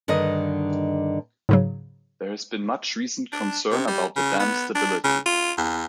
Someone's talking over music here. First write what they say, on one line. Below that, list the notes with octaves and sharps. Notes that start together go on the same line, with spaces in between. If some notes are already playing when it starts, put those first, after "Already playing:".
There has been much recent concern about the dam's stability.
G2 D3 D#3 D#5
G#2 C#3 F#3
D4
C3
G3
C#3
B3
D4
C#3
F4
E2